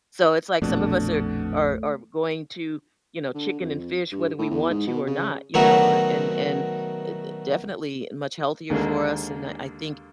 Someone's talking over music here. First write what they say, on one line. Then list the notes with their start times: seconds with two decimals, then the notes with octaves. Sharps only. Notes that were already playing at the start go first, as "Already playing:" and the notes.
so, it's like, some of us are are are going to, you know, chicken and fish, whether we want to or not, you know, and and, d d definitely, much healthier for us, and, uh, I think,
0.62 A#1 F2 B2 A3 D4
3.35 D3
3.60 F2
4.12 G2
4.39 A2
4.51 E2
4.70 G#2
4.87 B2
5.07 C#3
5.54 B2 D#3 F#3 A3 D#4 F#4
8.70 D#2 D3 G#3 A#3